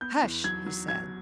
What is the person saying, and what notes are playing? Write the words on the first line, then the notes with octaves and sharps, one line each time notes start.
"Hush!" he said.
B3 G6
E2
F#3 G#6
F#3
F#3 G#6